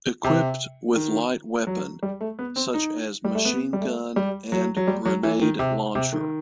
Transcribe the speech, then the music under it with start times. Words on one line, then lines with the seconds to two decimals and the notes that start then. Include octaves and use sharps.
Equipped with light weapon such as machine gun and grenade launcher.
0.24 C3
0.96 D#3
1.67 F#3
2.03 G3
2.21 A3
2.39 B3
2.56 C4
2.74 D#4
3.24 G3
3.35 A3
3.45 B3
3.73 G3
3.81 A3
4.16 G3
4.52 F#3
4.77 F#3
4.87 G3
5.05 F#3
5.23 E3
5.41 D#3
5.59 C3
5.95 C3
6.13 D#3